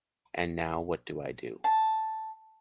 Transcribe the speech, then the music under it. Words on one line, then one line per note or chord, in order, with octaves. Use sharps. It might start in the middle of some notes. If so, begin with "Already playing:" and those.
And now, what do I do?
A5